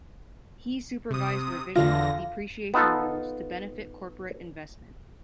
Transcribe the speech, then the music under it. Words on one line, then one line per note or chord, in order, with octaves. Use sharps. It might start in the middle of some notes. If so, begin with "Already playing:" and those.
He supervised revision of depreciation rules to benefit corporate investment.
C3 D#6
E2 D3 F4 F5 A#6
B3 D#4 F4 A4